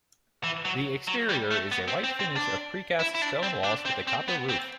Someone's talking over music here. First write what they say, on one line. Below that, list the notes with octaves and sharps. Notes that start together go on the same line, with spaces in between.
The exterior is a white finish of pre-cast stone walls with a copper roof.
E3
F#3
F#3
G3
A3
B3
C4
C4
C4
D4
E4
E4
D4
C4
D4
C4
C4
B3
C4